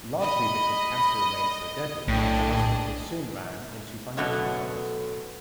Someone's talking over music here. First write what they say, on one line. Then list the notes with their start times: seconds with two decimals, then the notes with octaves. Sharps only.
Largely because cancer remained so deadly, the hospital soon ran into financial troubles.
0.22 D#5 B5
2.08 B1 A2 D4 G#4 D#5 G5
4.17 B2 D3 F#3 A3 B3 C#4